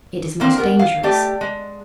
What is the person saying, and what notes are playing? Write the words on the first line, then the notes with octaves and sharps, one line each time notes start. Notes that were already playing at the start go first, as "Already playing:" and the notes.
"It is most dangerous."
D3 A#3 C4
B3 A#4
F5
A3 G4 D5
G#3